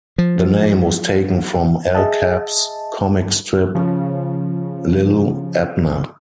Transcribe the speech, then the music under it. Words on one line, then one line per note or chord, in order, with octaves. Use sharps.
The name was taken from Al Capp's comic strip Li'l Abner.
F3
G#4 D#5 E5 A5
C#3 F3